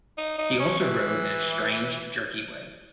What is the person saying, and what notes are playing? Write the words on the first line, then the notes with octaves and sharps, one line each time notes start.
He also rode in a strange, jerky way.
D#4
D#4
C#4
E3